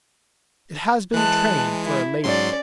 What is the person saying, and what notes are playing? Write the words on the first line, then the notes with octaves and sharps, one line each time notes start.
It has been trained for a lady.
E3 G#3 A5 F#6
E4
G#2 F#3 C#4 D5 C6